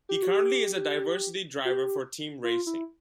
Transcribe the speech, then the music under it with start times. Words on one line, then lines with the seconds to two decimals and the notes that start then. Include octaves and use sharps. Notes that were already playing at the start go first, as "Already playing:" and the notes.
He currently is a diversity driver for Team Racing.
0.09 G4
0.23 F#4
0.28 G4
1.65 F#4
1.71 G4
2.44 F4
2.67 E4